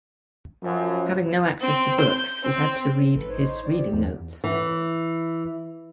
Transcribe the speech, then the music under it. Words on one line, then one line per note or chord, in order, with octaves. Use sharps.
Having no access to books, he had to read his reading notes.
F#2 F3
C4
G6
C4
A1 A4 B4
D#4 C5 C#5
C4 D5
G4
E2 D3
E3